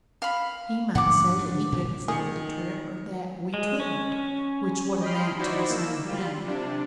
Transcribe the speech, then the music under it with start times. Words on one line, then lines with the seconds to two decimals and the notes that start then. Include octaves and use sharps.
He might say that he couldn't afford the trip, or that we couldn't, which would amount to the same thing.
0.22 F5 B5
0.95 G#2 D3 F3 F#5 D6
1.38 D3 F3 D4
1.72 A#2
2.08 D#3 G#4 C#7
3.54 G#3
3.80 C#4
5.01 D#5 G5 B5 C6 F6
5.38 D#4 E4 F#4 C5 D5
5.70 A#3 E6
6.04 G3 F4
6.45 C3 D4